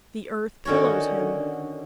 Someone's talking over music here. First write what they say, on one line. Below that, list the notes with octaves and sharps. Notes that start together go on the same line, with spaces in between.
The earth pillows him.
D3 D#3 C#4 F#4 C#5